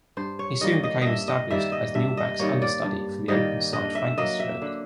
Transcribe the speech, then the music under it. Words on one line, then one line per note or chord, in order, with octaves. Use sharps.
He soon became established as Neil Back's understudy for the openside flanker shirt.
G2 C5
C#5
D#3 G3 A#3 D#5
D#5
G2 D#5 E5
D#5
D#3 G3 A#3 E5
D#5
G2 E5
D#5
D#3 G3 A#3 C#5
D5
G2
D#3 G3 A#3 D#5
D3 D#5
E5
F#3 A#3 D#5
E5
D3